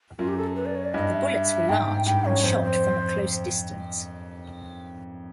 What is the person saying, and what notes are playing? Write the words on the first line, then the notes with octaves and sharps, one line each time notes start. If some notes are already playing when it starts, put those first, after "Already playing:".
The bullets were large and shot from a close distance.
F#2 F4
G4
A4
B4
D5
C#5
D5
G2 D#5
E5
G#2 G5
G#2
G2 G5
F#2 C#5
F2 C5
C5